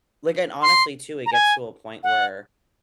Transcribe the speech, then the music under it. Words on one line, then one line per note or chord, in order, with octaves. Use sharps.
like, and, honestly, too, it gets to a point where
C6
A#5
G#5
F#5